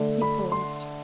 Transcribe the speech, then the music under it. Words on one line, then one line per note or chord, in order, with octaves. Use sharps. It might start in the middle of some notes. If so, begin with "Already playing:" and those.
He paused.
Already playing: D3 A3 D4
B5
C6